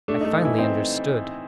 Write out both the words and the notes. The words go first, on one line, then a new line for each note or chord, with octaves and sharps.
I finally understood!
A3 D4
D#4
A3
D#4
E3 E4
C4 D#4